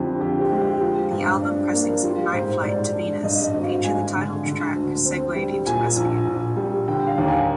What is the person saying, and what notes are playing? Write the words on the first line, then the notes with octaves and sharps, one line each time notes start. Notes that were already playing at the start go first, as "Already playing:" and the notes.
The album pressings of "Nightflight to Venus" feature the title track segued into "Rasputin".
Already playing: F2 D3 G4
F2 G4
G4
G#3
G4
F3
G2
D4
A#3
G3 F4
G#2 C5
G#2 D5
D4
G2 D#5
D#5
G#1
F5
G#3 G#5
D3
D3
D2
C4
G3
A#2 G#5
A#1
A#1
G3
D3 G5
F5
D#2
G#5